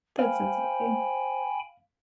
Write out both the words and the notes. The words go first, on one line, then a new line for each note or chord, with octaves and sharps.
That's insane.
C5 F5 G5 G#5 B5